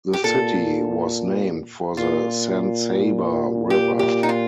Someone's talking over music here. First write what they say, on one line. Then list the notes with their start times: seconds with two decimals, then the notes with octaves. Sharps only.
The city was named for the San Saba River.
0.13 G4
0.24 A#2 A4
1.97 A#2 F4
3.70 G4
3.99 G4
4.23 D#4
4.29 F4